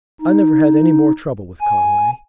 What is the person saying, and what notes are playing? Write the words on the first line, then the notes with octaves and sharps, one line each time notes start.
I never had any more trouble with Conway.
D#4
G#5